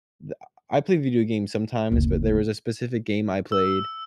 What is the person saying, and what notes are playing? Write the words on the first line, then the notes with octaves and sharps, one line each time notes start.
d ah, ah, I play video games sometimes, but there was a specific game I played,
F#1 D2
E6